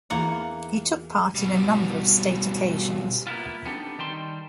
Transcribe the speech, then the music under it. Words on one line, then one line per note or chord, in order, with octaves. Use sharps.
He took part in a number of state occasions.
E2 A#3 F#5
B2 G3
A#3 B3 E4 F4
B3 C4 D4 D#4 G4 A4
D#3 G3 D#4 G5 A5 C6